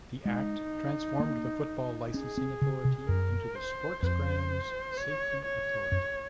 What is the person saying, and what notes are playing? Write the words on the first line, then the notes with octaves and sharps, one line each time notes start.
The Act transformed the Football Licensing Authority into the Sports Grounds Safety Authority.
G#3 D#4
A#3
C#4 G#4
C4
C#3
C3
F#2 A#4
C5
F2 C5
C#5
C#5
F#2